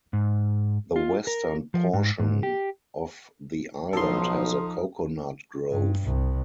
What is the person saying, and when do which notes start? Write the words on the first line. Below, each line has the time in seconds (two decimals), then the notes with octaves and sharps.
The western portion of the island has a coconut grove.
0.13 G#2
0.96 F4
1.27 A#4
1.74 F3
1.93 G#2
2.19 G#2
2.43 G4
3.93 B1 F3 D#4 A4 C6
5.70 G2
6.04 C2